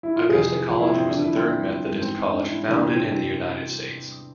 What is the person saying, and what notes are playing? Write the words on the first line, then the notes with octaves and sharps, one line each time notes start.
Augusta College was the third Methodist college founded in the United States.
E4
F4
F2 C3 E3 G#4
F4
E4
C4
C4
E2 D3 F3 D4
E4
C4
G#2 E3 C4
C4
D4
E4
E2 C3 E3 D4
C4
C4